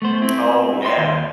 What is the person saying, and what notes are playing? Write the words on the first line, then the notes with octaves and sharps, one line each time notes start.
Oh, yeah.
A3 B3 C5
C4 E4
D#5 G5 B5 C6
D#2